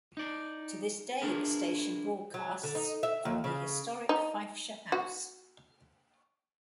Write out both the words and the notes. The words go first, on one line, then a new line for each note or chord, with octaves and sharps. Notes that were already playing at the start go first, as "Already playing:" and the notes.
To this day the station broadcasts from the historic Fifeshire House.
D#4 D5
D4 E4 G#4 A#4 B4
F#3
D3
D#4
E5
D#2
C#3
D#4
F#4